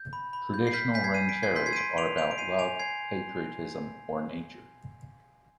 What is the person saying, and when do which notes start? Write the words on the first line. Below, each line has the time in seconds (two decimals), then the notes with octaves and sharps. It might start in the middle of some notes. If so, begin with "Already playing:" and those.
Traditional rancheras are about love, patriotism or nature.
Already playing: G6
0.13 B5
0.33 B5
0.54 G6
0.67 C7
0.73 F6 G6 B6
0.94 G#5 G6 B6
1.04 G#6 C7
1.14 G#5 C7 D#7
1.29 B6 D7
1.36 G#5
1.43 G#6 C7
1.56 C6 G6 B6
1.66 G#6 C7
1.73 D#7
1.76 C6 B6 D7
1.97 C6 D7 F7
2.17 G6 D7 F7
2.31 D7
2.38 G#5 C7 D#7
2.58 G#5 D7 F7
2.79 G#5 G#6 C7